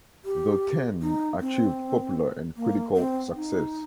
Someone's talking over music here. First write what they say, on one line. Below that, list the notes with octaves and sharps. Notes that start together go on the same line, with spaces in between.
The Ten achieved popular and critical success.
G4
D#4
C4
A#3
C4
D#4